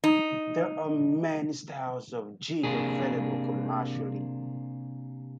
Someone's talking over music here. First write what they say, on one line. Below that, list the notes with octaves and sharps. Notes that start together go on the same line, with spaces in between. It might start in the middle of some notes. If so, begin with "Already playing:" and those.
There are many styles of jig available commercially.
D#4
C3 A#3 D4 G#4